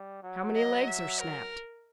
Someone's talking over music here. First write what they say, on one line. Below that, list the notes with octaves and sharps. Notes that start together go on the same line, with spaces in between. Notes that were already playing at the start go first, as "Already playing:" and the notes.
"How many legs are snapped?"
Already playing: G3
F#3
D#5
E5
A#4